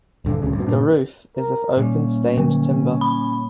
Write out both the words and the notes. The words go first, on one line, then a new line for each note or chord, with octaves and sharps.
The roof is of open stained timber.
D#1 G2 D3
D1 G#1 D2 C#3
G2 B2
G2 A#2 D4
A#4
A#2 G3 C#4
D3
B5